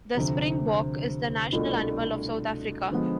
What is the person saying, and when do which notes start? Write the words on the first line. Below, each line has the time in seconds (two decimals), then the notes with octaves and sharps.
The springbok is the national animal of South Africa.
0.15 D2 C3 F3
1.53 C2 B2 A3 D4 F4
2.91 D3 F3 G#3 B3